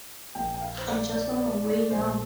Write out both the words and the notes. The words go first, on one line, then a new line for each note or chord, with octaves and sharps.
I'm just on my way now.
A#1 A#2 A#3 G5
G5
F5
C5
D5
D5
D5
D5
A#1 A#2 A#3 C5